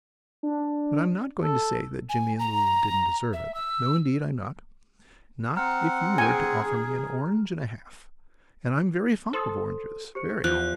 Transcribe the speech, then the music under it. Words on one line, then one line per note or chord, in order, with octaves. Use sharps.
But I'm not going to say that Jimmie and Lulu didn't deserve it, no indeed I'm not; not if you were to offer me an orange and a half; and I'm very fond of oranges; very.
D4
A4
G#5
A#5
E5
E6
C4 F#5 A#5 F6
G#4 G5 G#5
A4 C5 C6 D#6
G4 C5 C#7
E2 F3 F#6